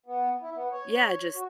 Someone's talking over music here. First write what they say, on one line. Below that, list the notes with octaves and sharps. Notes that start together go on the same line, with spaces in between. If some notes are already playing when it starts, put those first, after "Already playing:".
yeah, just
B3
E4
B3
C#5
F#4